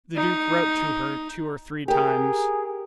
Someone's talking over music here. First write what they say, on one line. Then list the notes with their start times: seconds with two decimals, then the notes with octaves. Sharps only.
The duke wrote to her two or three times.
0.16 D#4
1.88 G4 G#4 A#4